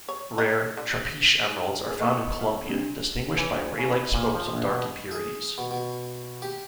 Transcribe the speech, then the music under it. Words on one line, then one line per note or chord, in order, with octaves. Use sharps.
Rare "trapiche" emeralds are found in Colombia, distinguished by ray-like spokes of dark impurities.
C#5
D#4
D3
G#4 A#4
A3 B3 D#5 C#6
E5 F5
C3 G3 D4
E3
D2
C#3
E4
A#2
F3
A#1
B2
G#4
B2
B2
G4